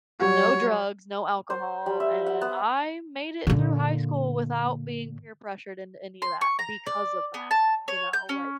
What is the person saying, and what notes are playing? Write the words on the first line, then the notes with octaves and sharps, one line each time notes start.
no drugs, no alcohol, and I made it through high school without being peer pressured into any of that because of that, you know, like,
F#3 G3 F#4 C#5
C5
G3
E5
F#5
B3
A#2 D3
C6
C#6
A#5
D5
B3
A5
C#5
G6
C#4